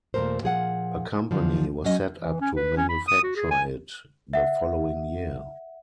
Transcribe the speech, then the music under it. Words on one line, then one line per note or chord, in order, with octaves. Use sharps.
A company was set up to manufacture it the following year.
D#2 A#2 C#3 A3 A#4 C5
A#2 F3 G#4 F#5
F#2 D3 F3
F#3 C#4 D#5
E3
C#4
B4
C#4
B5
D#6
F#4
G#4
G#5
E5 F#5